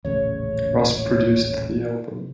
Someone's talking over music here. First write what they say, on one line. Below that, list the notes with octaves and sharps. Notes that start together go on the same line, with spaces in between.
Ross produced the album.
D#1 A1 C#3 C#5